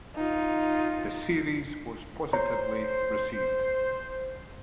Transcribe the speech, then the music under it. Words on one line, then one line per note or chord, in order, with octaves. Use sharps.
The series was positively received.
D#4 F4
C5 C#5 A#5